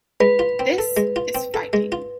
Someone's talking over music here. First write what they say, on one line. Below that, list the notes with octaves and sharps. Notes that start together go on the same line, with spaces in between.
This is fighting.
G#3 B4
F4
C4
A4
G#3
F4
C4
A4
G#3
F4